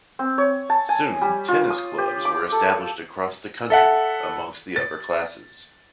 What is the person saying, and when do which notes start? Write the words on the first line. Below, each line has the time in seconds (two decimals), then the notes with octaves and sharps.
Soon tennis clubs were established across the country amongst the upper classes.
0.19 C4
0.38 C#5
0.70 A5
0.89 G#5
1.22 G3
1.48 F4
1.70 D#6
1.98 G4
2.25 D6
2.52 A4
3.70 A4 E5 F#5
4.76 A6